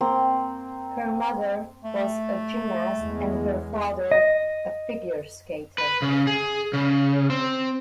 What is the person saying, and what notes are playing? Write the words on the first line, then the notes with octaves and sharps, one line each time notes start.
Her mother was a gymnast and her father a figure skater.
A#3 C4
A3
E2 G#3
D#5
B4
C#3
G#4
C#3
C4